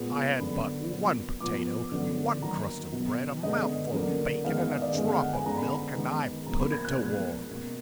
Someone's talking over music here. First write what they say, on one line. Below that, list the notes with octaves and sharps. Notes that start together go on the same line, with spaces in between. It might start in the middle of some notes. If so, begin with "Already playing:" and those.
I had but one potato, one crust of bread, a mouthful of bacon, and a drop of milk, and I put it to warm.
Already playing: A#2 G#3 B3
D3 F#3 B3 B5
A#2 F#3 B3
A#2 F3 B3 D6
D3 F#3 B3
D#3 F#3 A#3 A#5
B2 F#3 B3
D3 G#3 B3 D#5
D3 F#3 A#3
D#3 G#3 B3 F5
F5
D#5
D5
D3 G#3 B3 D#5
F5
F#5
G#5
D3 G#3 B3 A#5
B5
A#5
D#3 G#3 B3
B2 F#3 A#3 A#5
B5
G#6
F#6
A#2 F3 G#3 B3
B2 A#3